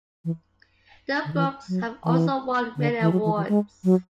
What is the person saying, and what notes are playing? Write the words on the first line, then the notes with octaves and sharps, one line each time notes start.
The books have also won many awards.
E3
D3
E3
F#3
E3
D3
E3
F#3
E3
E3
G#3
F#3